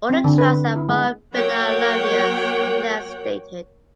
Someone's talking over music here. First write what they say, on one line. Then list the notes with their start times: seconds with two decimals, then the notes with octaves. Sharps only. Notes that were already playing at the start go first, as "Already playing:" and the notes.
All the tracks are from Bernard Lavilliers, unless stated.
0.10 C4
0.24 D3
0.38 B4
0.76 E4
0.89 G#3
1.34 F#3 A#3 C#5 F#5 G5